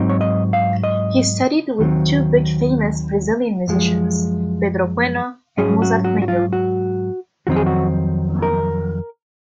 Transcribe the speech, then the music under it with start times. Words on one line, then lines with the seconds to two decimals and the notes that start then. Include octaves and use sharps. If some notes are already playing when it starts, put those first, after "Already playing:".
He studied with two big famous Brazilian musicians: Pedro Bueno and Mozart Mello.
Already playing: G#2 F#3 C4 D#4
0.09 C#5
0.21 D#5
0.53 F5
0.84 D#5
1.79 D#2 D#3 F#3 C4
3.68 F#2 F3 G#3
5.57 G#2 F#3 C#4 G#4
5.82 F#4
6.04 F#4
6.22 F#4
6.28 F4
6.53 F#4
7.47 F2 D#3 F#3 C4 D#4 F#4
7.56 G#4
7.66 F#4
8.42 A#4